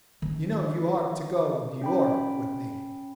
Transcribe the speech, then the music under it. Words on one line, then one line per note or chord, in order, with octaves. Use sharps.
"You know you are to go New York with me?"
D#3 C#4
C#4 G5 B5